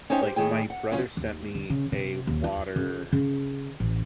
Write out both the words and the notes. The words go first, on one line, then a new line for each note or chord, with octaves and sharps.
like, my brother sent me a water,
C#4 D#4 C5 E5 G5
G4 C5
A2 D#3 G#4 G5
F#5
C#3 F#3 C#4 F4
D#2
D3
C#3
C3
D#2
F4
C#3
C#3
A1